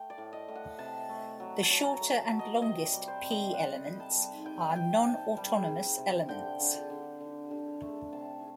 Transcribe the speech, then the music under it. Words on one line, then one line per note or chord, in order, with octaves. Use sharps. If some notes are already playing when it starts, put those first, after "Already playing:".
The shorter and longest P elements are nonautonomous elements.
Already playing: A3 G5
D5
A2
D#5
A2
F#5
C3 A5
A3
F#3
A5
F#3 A#5
A#5
A3
A5
F#3
D#5
C3 D#5
D5
G3
C5
C3
D#5
G3 F#5
G3
A5
G3
G3 G5
C3 G5
C3 A5
G3
C3
C3
D3 G5
D3
D3
D3
D3
A3
C3 A5